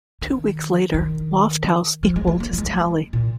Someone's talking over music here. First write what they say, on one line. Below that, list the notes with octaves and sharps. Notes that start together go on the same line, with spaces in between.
Two weeks later, Lofthouse equalled his tally.
D#3
D#3
F3
G#3
G#3
A#3
F#3
G#3
A#2